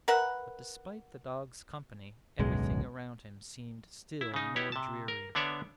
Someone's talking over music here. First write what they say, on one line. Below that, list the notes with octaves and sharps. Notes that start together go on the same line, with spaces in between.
But despite the dog's company everything around him seemed still more dreary.
A#4 B4 E5 F#5
D1 B1 F#2 G#3
E4
C#3 D#4
B3 E4 G4 C#5
C3 A5
A#4
D3 B3 D4 C#5 D5 E5